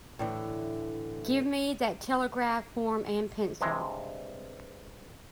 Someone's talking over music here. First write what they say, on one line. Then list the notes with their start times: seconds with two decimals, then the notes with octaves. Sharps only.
Give me that telegraph form and pencil.
0.19 A2 D3 E3
3.61 G2 C3 G#3